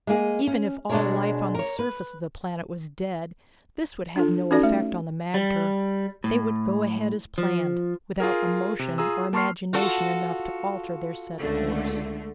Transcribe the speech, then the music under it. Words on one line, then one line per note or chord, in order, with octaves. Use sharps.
Even if all life on the surface of the planet was dead, this would have no effect on the magter. They would go ahead as planned, without emotion or imagination enough to alter their set course.
G#3 A#3 G#4
C#4
B2 G#3 D4 G#4 A#4 C#5
A#4 C#5
B4
D4 F4 A4
C#4 D#4 F#4 A4 D5
A3
G3
A2
F3
F4 G#4 A#4
C3
F4 G#4 A#5 D#6 E6
A#3 A5 C6 C#6 F6 C7
F4 F#4 A4
C#2 D3 A3